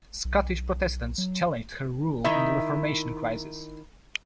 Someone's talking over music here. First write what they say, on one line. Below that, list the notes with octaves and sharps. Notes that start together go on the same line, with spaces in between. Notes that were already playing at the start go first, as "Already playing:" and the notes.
Scottish Protestants challenged her rule in the Reformation Crisis.
B1
F#3
D#3 D#4 E4 E5